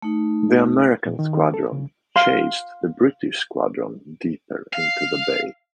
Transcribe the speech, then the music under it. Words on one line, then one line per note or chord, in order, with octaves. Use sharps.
The American squadron chased the British squadron deeper into the bay.
A3 D#4
A#2
D#3
D#3
A4
C#3
F5 C6
F5